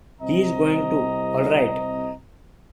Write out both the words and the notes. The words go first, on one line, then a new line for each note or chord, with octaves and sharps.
He's going to, all right.
C2 C4 D#5 A#5